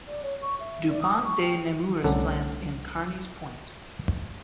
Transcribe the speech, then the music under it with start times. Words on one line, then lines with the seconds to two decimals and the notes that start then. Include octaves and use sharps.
DuPont de Nemours plant in Carneys Point.
0.06 D5
0.22 C#5
0.41 C#6
0.59 E5
0.89 D5
1.01 D#6
1.24 C#6
1.41 G5
2.04 C2 D3 A3 C#4 A4 F#5